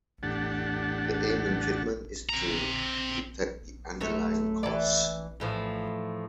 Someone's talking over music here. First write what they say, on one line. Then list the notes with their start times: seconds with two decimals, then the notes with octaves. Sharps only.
The aim in treatment is to detect the underlying cause.
0.23 E2 A2 D4 G4 F#5 A5
2.29 C4 A#5
4.00 F#2 A3 C#5
4.63 E3 D5
5.40 E2 A2 F3